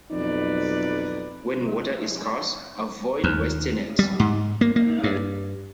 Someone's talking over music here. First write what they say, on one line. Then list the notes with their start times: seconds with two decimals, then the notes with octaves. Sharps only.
When water is scarce, avoid wasting it.
0.11 B1 F2 D#4 B4 D5
3.24 D#2
3.99 G3
4.20 G#2
4.61 A#3
4.76 A#3
5.04 G2